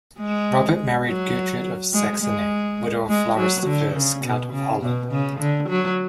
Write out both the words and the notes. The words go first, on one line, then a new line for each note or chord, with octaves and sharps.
Robert married Gertrude of Saxony, widow of Floris the First, Count of Holland.
G#3
F#3
G#3
G#3
G#3
F#3
D3
C#3
B2
C#3
B2
C#3
D3
F#3